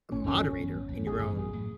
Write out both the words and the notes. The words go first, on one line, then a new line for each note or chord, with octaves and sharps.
a moderator in your own
G#1 C#4
F#2 E3 B3 C#4
G#1
F#2 E3 B3
G#1
F#2 E3 B3
G#1 G#4
F#2 E3 B3
A1
A2 F#3 A3